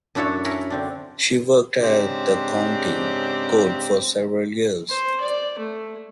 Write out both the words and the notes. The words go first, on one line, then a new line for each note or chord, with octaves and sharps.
She worked at the county court for several years.
F#2 D4 E4 F#4 A4 C#5
E4 A#4 F#5 G#5
D3 C4 D4
G#2 C#3 C4 D4 G4
C5
D5
A3